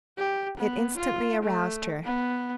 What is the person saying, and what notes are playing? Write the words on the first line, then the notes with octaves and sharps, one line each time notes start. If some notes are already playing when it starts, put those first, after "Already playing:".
It instantly aroused her.
G4
B3
F4
A3
B3